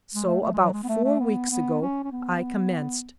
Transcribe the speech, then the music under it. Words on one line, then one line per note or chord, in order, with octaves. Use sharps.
So, about four weeks ago, I commenced.
G#3
A3
A3
G#3
F#3
G#3
B3
A3
A3
B3
B3
C#4
C#4
B3